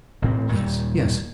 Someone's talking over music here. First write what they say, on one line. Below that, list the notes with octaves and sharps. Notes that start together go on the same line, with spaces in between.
"Yes, yes."
A1 A2 C4
D#2 A#2 G3